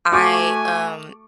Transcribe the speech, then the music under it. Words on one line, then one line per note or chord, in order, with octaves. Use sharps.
I, um,
A3 F#4 G#5 C#6 D6